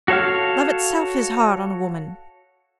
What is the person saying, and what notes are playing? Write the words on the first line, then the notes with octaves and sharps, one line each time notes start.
Love itself is hard on a woman.
F#4 A4 C#5 F5 F6